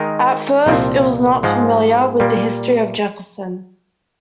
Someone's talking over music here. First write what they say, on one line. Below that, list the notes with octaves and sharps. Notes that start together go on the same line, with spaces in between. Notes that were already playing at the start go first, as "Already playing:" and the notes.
At first, it was not familiar with the history of Jefferson.
Already playing: D#3 G#3 D#4 A#4
C2 A#2 F3 C4
G#2 F3 G#3
A#2 G3 A#3